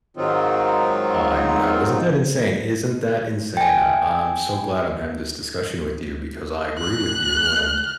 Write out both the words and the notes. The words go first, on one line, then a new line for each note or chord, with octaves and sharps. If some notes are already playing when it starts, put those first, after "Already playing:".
I know, isn't that insane isn't that insane? I I'm so glad I'm having this discussion with you because I agree with you, and
G#2 D#3 F#3 C4 D#4 F4
G5 G#5
F#6